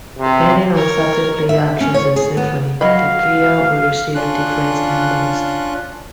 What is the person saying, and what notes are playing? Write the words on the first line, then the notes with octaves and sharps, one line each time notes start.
Depending on certain player actions in Symphony, the player will receive different endings.
C3
A#4 C#5
E5
C#4
C#5
G#4
B3
F#3 D#5 F5 B5
C#4 D4 F4 F#6